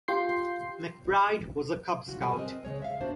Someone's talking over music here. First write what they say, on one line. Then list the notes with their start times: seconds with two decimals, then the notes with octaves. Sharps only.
McBride was a Cub Scout.
0.08 F4 G4 C6 G6 C7
2.07 C#3 F4 F#4
2.20 C3 G3 A4 G#5
2.36 C4 A#4 B4 D#5
2.65 C#3 G#3 C#5
2.82 E5 F5
3.01 A#3 B3 D4 F#4 C5